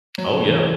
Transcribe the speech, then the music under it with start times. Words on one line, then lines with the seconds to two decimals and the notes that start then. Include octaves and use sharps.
Oh, yeah.
0.18 F#3
0.44 E3